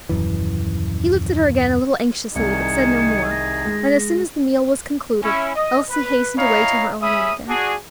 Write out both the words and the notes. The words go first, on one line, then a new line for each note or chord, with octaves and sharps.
He looked at her again a little anxiously, but said no more; and as soon as the meal was concluded, Elsie hastened away to her own room again.
D#1 F#2 E3
C2 D#3 G#4 C#7
A#6
G#3
C#4 E4
D#5
B4
C#4 D#4 E4 C#5 F5 A#5
C#4 G#4 E5 B5 D#6
D4 F#4 G#4